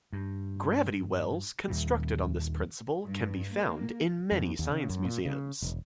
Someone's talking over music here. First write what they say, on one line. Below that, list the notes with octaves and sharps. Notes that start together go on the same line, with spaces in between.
Gravity wells constructed on this principle can be found in many science museums.
G2
D#2 A#2 G3
G2
A#3
F2
D#2
C#3
F#2
A#2
C#3
E1